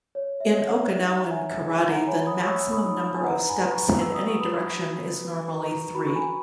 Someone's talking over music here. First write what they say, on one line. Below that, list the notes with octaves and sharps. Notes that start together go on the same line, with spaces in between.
In Okinawan karate the maximum number of steps in any direction is normally three.
C#5
E5
C#5 E5
F#5
D#4
F#5 A#5
D#4 E5 G#5
E5
G#4 E5 G#5
F#5 A#5
C#5 G#5 B5
B5 D#6
C#5 C#6 E6
B5 D#6
D#4
G#5
B4 F#5 A#5
A#5
G#5 B5
B4
A#5 C#6
B4 E6
D#6
C#6
B4 B5 D#6
F#4
B4
B4 A#5 C#6
F#4 B5
C#6
G#5 B5